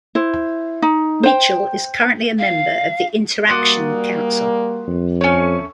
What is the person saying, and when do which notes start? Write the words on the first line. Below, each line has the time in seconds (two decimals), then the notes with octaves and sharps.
Mitchell is currently a member of the InterAction Council.
0.15 E4 C5
0.82 D#4
1.23 C5 G5
2.39 F5
3.49 G3 A#3 F#4 D5 D#5 C6 F#6
4.87 F2
5.21 A3 C#4 C#5 G#5